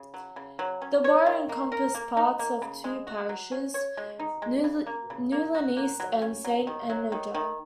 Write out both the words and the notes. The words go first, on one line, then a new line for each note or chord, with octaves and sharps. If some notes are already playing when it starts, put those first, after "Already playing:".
The borough encompassed parts of two parishes, Newlyn East and Saint Enoder.
Already playing: C#3
F#3
C#3
F#3
C#4
C#5
D#3
A#3
A#4
A#3
D#4
A#3
C#3
G#3
F#4
F#3
C#4
C#5
G#3
D#4
G#3
C#3
A#3
C#3
A#3
F#4
A#3
F#3
C#4
F#3
D#3
F#3
D#3
D#3